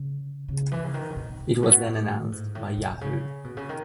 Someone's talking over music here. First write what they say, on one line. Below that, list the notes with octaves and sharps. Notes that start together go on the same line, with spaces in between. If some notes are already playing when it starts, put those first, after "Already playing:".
It was then announced by Yahoo!
Already playing: C#3
C#3
E3
C#3
D#3
C#3
B2
B2
A2
B2
A2
G#2
A2
B2
C#3
B2
C#3
D#3